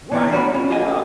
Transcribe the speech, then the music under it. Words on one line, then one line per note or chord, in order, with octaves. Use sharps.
Right! Yeah.
A#2 E3 B3 D5 A#5
G2 F#4 B4 C#5 B5
C#4 F4
F4 G4 D#5 F#5 G#5